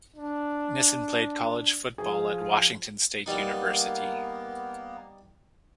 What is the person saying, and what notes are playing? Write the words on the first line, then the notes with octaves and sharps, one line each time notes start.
Nissen played college football at Washington State University.
D4
F3 G#4
G3 A#3 B3 D#4